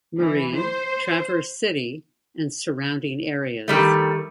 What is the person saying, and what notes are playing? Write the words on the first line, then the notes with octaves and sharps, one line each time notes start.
Marie, Traverse City, and surrounding areas.
E3
C5
D#3 G3 A3